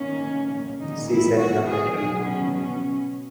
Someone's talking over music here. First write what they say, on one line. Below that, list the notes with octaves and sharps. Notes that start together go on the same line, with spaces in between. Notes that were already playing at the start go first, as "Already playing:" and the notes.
She set the pattern.
Already playing: D#3 A#3 C#4
A#2 G#3 B3 D#4
E4
F#4
G#4
B2 F#3 B3 G#4
C#4
C#4